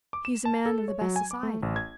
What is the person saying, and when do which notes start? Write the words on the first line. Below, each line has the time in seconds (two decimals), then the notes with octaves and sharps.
He's a man of the best society.
0.13 D6
0.25 E7
0.45 A5
0.66 A4
0.88 C#5
1.01 F#3
1.16 G#5
1.31 D6
1.43 A3
1.63 A1
1.76 G#6